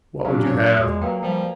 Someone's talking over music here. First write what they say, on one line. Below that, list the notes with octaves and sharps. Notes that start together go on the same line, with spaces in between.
What would you have?
F#3 C#4 D4 F4 G4 F5
F#3 G4 C#5
E2 G#3 F#4 G#4 D5
F#3 A#3 B4 F5 G5
F3 G3 F5 G5